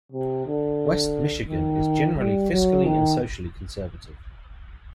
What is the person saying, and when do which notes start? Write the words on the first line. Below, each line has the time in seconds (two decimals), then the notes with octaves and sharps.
West Michigan is generally fiscally and socially conservative.
0.12 C3
0.47 D3
1.48 D#3
2.17 G3
2.51 F#3
2.85 D#3